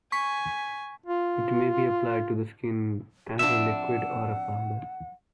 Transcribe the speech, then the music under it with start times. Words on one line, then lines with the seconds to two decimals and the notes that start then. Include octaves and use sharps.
It may be applied to the skin as a liquid or a powder.
0.12 G#5 C#6 B6
1.06 F4
3.39 F2 D4 E5 F#5